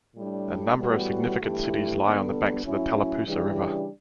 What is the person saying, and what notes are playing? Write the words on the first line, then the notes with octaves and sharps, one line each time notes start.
A number of significant cities lie on the banks of the Tallapoosa River.
A2 G3 D4
A2 E3 G3 B3 F#4
G2 E3 A3 E4 G4
D3 G3 B3 D4 A4
A2 F#3 C#4 E4
C#3 E3 G3 D4 G4